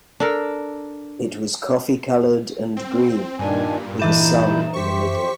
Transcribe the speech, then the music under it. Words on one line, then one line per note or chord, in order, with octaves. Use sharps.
It was coffee-coloured and green, with a sun in the middle.
D4 A4 A#4
C4
G2 A#2 D#3 D4 G#5
E3 D#4 E4 E5 B5 G6 E7
F#2 G4 C5 C#6 B6